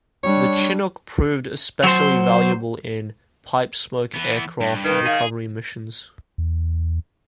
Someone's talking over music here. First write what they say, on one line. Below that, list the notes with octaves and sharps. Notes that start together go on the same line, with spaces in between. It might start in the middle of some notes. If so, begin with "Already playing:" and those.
The Chinook proved especially valuable in "Pipe Smoke" aircraft recovery missions.
G3 D4 C#5
F#3 C5
E3 B3
G2
D#3 B4
G#4 F5
E2